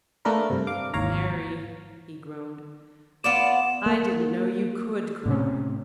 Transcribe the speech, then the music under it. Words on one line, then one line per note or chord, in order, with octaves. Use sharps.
"Mary," he groaned, "I didn't know you COULD cry!"
A3 A#3 D4 A#4 B4
G2 C3
F5 D6
G#1 D#2 C#5 F5 A#5
B3 F4 D5 E7
A#3
A2 C3 C#4